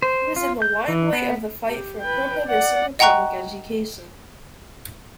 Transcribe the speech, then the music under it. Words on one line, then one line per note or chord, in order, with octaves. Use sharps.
He was in the limelight of the fight for prohibition and public education.
C5
F4
G6
E3
B3
G4
B4 G5
D5 F#5
D#5 F#5 G5 A#5 C#6 F#6